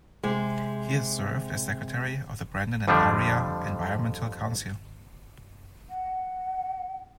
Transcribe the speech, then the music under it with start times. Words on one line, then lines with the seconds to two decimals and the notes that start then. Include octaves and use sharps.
He has served as secretary of the Brandon and Area Environmental Council.
0.23 C3 G#3
2.88 F2 D3 F3 G3 A3 D4
5.90 F#5